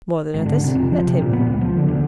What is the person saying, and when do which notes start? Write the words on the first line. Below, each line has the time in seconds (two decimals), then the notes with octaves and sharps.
"More than others--let him."
0.34 G#1
0.46 D3
0.64 C3
0.75 F2
0.92 F3
1.07 C3
1.22 A#2
1.33 B3
1.47 C#2
1.61 F3
1.77 D3
1.88 D2